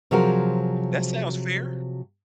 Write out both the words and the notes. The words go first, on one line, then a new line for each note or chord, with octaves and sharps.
That sounds fair.
C3 F3 F#3 F#4 G#4 A#4